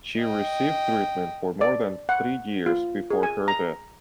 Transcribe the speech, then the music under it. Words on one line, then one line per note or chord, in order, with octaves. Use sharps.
She received treatment for more than three years before her death.
D#5 G5
D5
F#5
F4
G#4
G#5
A#5